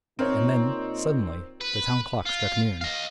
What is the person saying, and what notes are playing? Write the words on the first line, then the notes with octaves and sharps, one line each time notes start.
And then, suddenly, the town clock struck noon.
A#2 C4 D#4 A#4 C#5
B4
F4
D#5 F5